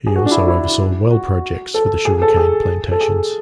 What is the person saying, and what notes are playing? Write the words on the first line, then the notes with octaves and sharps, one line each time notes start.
He also oversaw well projects for the sugarcane plantations.
G#4
F#4
D4
E4
E4
F#4
A4
G#4
A4
G#4
A4
G#4